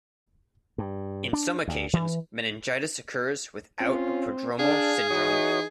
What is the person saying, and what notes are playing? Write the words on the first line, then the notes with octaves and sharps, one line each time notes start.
In some occasions, meningitis occurs without a prodromal syndrome.
G2
D4
D2
E3
C4 C#4 F4
D4 G#4 F5
E3 D#4 F#4 C#5 D#6